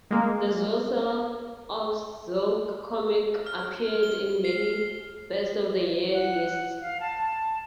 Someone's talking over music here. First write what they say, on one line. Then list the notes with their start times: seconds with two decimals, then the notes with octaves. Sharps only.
The Zaucer of Zilk comic appeared in many 'best of the year' lists.
0.11 G#3 A#3
3.47 F6
4.03 G7
4.45 C7
6.13 F#5
6.81 F5
7.00 A5